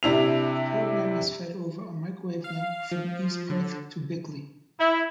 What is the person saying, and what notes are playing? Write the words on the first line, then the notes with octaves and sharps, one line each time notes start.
The programme is fed over a microwave link from East Perth to Bickley.
C3 D4 E4 F7
F5
F3
D3
E4